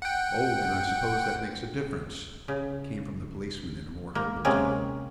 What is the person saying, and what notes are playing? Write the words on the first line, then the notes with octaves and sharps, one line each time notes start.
"Oh, then I suppose that makes a difference," came from the policeman in a more humble tone.
F#5 G5
C#3
A#3
C3 G#3 A#3 C4 C#4